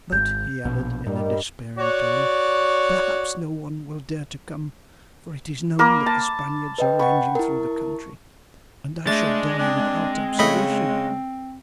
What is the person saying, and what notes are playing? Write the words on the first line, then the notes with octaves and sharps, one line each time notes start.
But," he added in a despairing tone, "perhaps no one will dare to come for it is known that the Spaniards are ranging through the country, and I shall die without absolution.
G#1 G6
A#1 B2
G2 G3 A#4 D#5
F#4 C#5 D5
A#3 A#4 B5 D6
A5
B4 D#5 G5
F#5 G5 B5 C#6
E4 A#4
G#3 A3 D4 A6
C4 D4
C#3 A3 D#5 B5